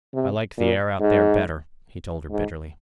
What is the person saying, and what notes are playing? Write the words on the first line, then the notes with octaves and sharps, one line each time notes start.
"I liked the air out there better," he told her bitterly.
C3
A#2
G#2
G#2